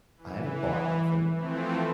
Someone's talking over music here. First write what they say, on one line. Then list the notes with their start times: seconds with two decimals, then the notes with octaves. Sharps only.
I haven't bought nothing."
0.17 E3
1.35 E3 F3 A3 C4